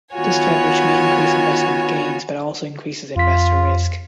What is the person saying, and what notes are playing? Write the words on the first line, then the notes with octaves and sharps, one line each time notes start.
This leverage may increase investment gains but also increases investor risk.
D#3 B3 F4 F#4 C#5 G#5
F2 F4 B6